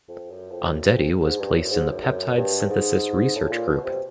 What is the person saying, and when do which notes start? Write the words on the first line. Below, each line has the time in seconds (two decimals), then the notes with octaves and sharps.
Ondetti was placed in the peptide synthesis research group.
0.08 F2
0.30 F#2
0.51 F2
0.74 F#2
0.90 F2
1.23 G#2
1.39 G2
1.55 F#2
1.71 G#2
1.88 F#2
2.04 F#2
2.37 G2
2.69 G#2
3.35 A2
3.51 A#2
3.68 B2
3.84 C3